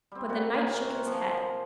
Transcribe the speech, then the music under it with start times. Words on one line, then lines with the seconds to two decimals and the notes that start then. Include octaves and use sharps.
But the knight shook his head.
0.12 G3 C4
0.29 A#2 F#4
0.54 C3 A#4 G#5
1.06 F3